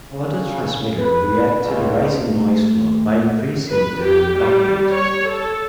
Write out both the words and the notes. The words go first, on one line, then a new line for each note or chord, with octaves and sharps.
Other transmitters react to the rising noise floor by increasing their output.
C#3
B4
C#2
A3
B4
G4
G3
C#5
A4